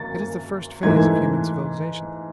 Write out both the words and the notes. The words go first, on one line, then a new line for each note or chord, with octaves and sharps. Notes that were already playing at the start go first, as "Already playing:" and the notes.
It is the first phase of human civilization.
Already playing: A6
G#2 E3 A3 G#6